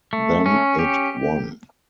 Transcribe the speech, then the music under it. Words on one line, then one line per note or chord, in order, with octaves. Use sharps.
Then it won'.
A3
C#4
G4